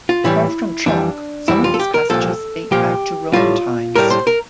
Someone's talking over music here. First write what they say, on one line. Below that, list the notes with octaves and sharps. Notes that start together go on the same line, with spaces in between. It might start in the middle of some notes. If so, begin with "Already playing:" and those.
Carved from chalk, some of these passages date back to Roman times.
F4
A2 E3 G3 E4
F2 E3 G3 D4
F2 E3 G3 E4
F4
A4
G4
A#4
C2 A#2 F3 A4
C2 A#2 F3 G4
A2 G3 F4
A2 G3 A#4
C5
A#4